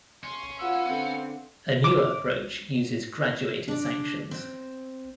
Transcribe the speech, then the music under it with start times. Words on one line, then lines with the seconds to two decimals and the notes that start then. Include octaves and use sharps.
A newer approach uses graduated sanctions.
0.23 C#4 C6 C#6
0.60 F4 B4 F5 F#5 E6
0.89 D3 C4
1.84 D6
3.68 D4 D5
4.31 C4